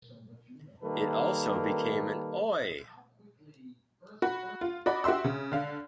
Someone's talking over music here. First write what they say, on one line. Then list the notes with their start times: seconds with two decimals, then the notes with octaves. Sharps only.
It also became an Oi!
0.83 D#3 G3 A#3 A4 B4
4.22 F#4 B5
4.61 F4
4.86 F#4 D5 D#5 B5
5.04 F#4 G4 E5 C6 E6
5.24 C#3
5.52 D3 F5